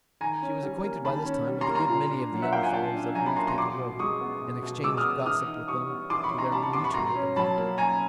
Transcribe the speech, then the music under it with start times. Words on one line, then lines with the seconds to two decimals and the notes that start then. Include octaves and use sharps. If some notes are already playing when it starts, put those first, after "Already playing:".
She was acquainted by this time with a good many of the young fellows of Newspaper Row; and exchanged gossip with them to their mutual advantage.
0.20 D#3 G#5 A#5
0.42 C#4
0.63 G3
0.84 A#3
1.05 D#3 A5 B5
1.26 C#4
1.47 G3
1.61 A#5 C6
1.68 A#3
1.75 A#5 C6
1.89 A#2
2.10 D4
2.32 F#3
2.42 E5 F#5
2.52 A#3 F5 G5
2.63 F#5 G#5
2.73 A#2 G5 A5
2.95 D4
3.15 F#3 G#5 A#5
3.26 A5 B5
3.36 A#3 A#5 C6
3.47 A#5 C6
3.57 B2 C6 D6
3.79 B2
3.99 G#3 C#6 D#6
4.21 B3
4.42 B2
4.63 B2
4.84 G#3 D6 E6
4.97 D#6 F6
5.05 B3
5.26 E3 D#6 F6
5.47 D#4
5.68 G3 C#6 D#6
5.89 B3
6.10 E3 C6 D6
6.24 B5 C#6
6.31 D#4
6.38 A#5 C6
6.52 G3 A5 B5
6.63 B5 C#6
6.73 B3 C6 D6
6.84 B5 C#6
6.94 B2 A#5 C6
7.15 C#4
7.36 F#3 A5 B5
7.58 A#3
7.78 B2 G#5 A#5